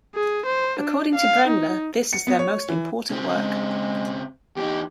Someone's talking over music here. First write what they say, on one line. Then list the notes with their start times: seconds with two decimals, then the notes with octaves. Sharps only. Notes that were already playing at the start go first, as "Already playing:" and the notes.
According to Brenda, this is their most important work.
0.15 G#4
0.46 C5
0.80 D4
1.15 F5
1.48 D#4
2.13 C#7
2.27 B3
2.39 C#5
2.69 E3
3.11 C#3 C4
3.34 G#3
4.57 E2 D#4 G4